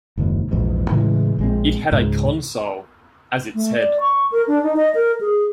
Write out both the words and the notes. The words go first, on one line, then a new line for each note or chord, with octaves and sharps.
It had a consul as its head.
F#1 D#2 G#2
A#1 E2 G#2
A2 C#3 E3 G#3
A#1 G#3 C4
C#2 G#2
A3
D5
C#6
A#4
D4
D#4
D#5
A#4
G#4